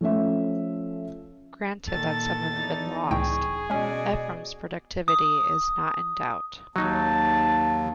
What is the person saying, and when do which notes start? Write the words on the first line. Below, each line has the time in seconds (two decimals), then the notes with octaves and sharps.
Granted that some have been lost, Ephrem's productivity is not in doubt.
0.01 F3 A3 C#4 E5
1.90 A#2 D#3 A4 A6
2.51 E2 D#4
3.11 C#2 A2 G#4 G5 C#6
3.70 B2 G#3 C#4 F#4 D5 D#5
5.08 D#6
6.76 D#2 F#3 D#4 A5